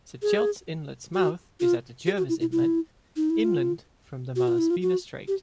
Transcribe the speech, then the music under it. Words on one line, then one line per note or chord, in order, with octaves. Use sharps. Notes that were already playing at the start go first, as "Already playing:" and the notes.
Sechelt Inlet's mouth is at Jervis Inlet, inland from the Malaspina Strait.
G#4
F#4
F4
G4
F#4
E4
E4
E4
D#4
E4
F4
F#4
F4
E4
F4
F#4
G4